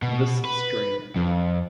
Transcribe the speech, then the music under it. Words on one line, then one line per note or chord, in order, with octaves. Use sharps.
This stream.
B2
B4
F2